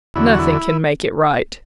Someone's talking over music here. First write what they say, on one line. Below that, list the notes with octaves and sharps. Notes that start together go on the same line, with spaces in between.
Nothing can make it right.
E2 D3 F#3 E4
F#4
E4